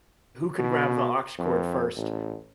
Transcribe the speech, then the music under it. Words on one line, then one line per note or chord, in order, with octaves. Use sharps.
who can grab the aux cord first
B2
F2
A1